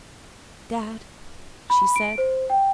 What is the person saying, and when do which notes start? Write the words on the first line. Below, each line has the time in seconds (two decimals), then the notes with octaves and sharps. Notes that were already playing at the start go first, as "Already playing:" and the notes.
"Dad!" she said.
1.70 B5
1.96 D7
2.18 C5
2.50 G5